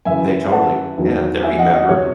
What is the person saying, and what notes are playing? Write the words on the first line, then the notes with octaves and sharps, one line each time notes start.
They totally Yeah, they remember.
F#2 C#3 E3 E5 G#5
F#5 A5
E2 D#3 F#3
E5 G#5
D#5 F#5
D#5 F#5
C3 F#3 C#5